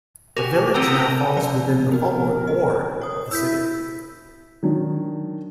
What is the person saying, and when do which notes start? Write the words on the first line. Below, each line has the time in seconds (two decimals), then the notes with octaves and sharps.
The village now falls within the Fulwood ward of the City.
0.37 F#4 G4 A#4 G#5
0.74 B3 C4 A4 G5 A#5 D#6
1.36 F3 C#4 D5
1.90 F3 B3 F#4 A#4
2.47 D#5
3.01 C#5 D#6
3.31 E4 E6 G6 B6
4.63 D#3 F#3 D4